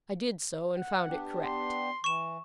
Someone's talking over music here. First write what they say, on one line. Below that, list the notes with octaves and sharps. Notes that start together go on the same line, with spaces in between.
I did so and found it correct.
F#5
B3 D4 G4
C6
E3 C#6 E7